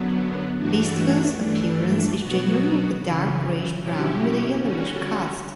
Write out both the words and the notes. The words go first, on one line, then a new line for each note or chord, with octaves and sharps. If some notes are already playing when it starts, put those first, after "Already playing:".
Bistre's appearance is generally of a dark grayish brown, with a yellowish cast.
Already playing: F#2 D3 F#3 B3
G2 E3 A3 D4 F#4
G2 E3 A3 D4
B2 F#3 B3 F#4
F#2 C#3 E3
B2 F#3 C#4 E4 G4
D3 G3 C#4 F#4